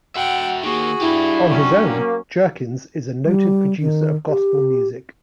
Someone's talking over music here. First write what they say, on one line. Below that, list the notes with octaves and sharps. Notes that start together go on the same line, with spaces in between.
On his own, Jerkins is a noted producer of gospel music.
F#4 E5 F#5 G5
D#3 A#3 F#4 G#4
D4 E4 G4
F#3 C#4
A#3
G3
D#3
G4